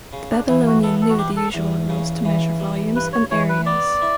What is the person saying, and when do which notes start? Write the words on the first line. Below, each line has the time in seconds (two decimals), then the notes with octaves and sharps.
The Babylonian knew the usual rules to measure volumes and areas.
0.13 C#3
0.30 D4
0.48 E3 E4
0.66 F#4
0.83 B3 A4
1.01 A4
1.09 F#4
1.18 D4 G4
1.36 A4
1.54 E2
1.89 C#3
2.25 E3
2.60 G3
2.96 G2 B4
3.13 C#5
3.31 E3 C#5
3.49 B4
3.66 B3 D5
4.02 E4